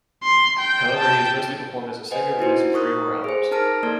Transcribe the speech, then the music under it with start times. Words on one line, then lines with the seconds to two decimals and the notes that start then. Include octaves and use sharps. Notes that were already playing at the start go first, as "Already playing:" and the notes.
However, he has mostly performed as a singer, releasing three more albums.
0.23 C6
0.59 G5
0.97 G5 A5
2.11 B4 C5 D#5 F#5 G#5
2.39 D#4 E4 F#4 C5
2.72 D#4 A#4 C#6 D#6 F#6
3.24 G#4 C5
3.51 D#4 A#4 A5 F6 A#6 D7
3.83 A#3 D#4 A4 D5 G#6